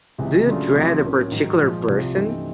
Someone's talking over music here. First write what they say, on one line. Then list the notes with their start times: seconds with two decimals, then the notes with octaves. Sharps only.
Do you dread a particular person?
0.18 C#2 C3 E3 G#3
0.47 C#3 F#3 A3 D4 F4
0.75 C2 C3 F3 A3 C4
1.03 A2 F3 A#3 C#4
1.31 G#2 D#3 F#3
1.59 A#2 F3 G#3
1.87 C2 C3 F3
2.15 G2 E3 A3 C4 D#4